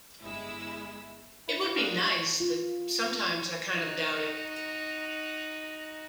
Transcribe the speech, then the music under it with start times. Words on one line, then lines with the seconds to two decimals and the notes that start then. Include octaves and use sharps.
It would be nice, but sometimes I kind of doubt it.
0.22 G1 G#3 E4 E6
1.48 E4
1.60 G2
1.75 G3 G#3 D4 F#4 A#4 F5
2.40 F4
3.71 D#4 F#4